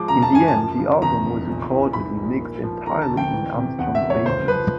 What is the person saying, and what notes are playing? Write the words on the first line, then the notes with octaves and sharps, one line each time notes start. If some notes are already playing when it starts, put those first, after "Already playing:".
In the end, the album was recorded and mixed entirely in Armstrong's basement.
Already playing: F3 G#3 D6
C#3 A#5
A5
F#2 G#5
A5
F3
C#3
E2 A#5
F1
A#1
E3
G#2 B5
A#1
A#3
F3
D3 A#5
A5
D2
G5
E3
C3
E2 F#5
E5
F1
C#5
C#2 C5
F3 B4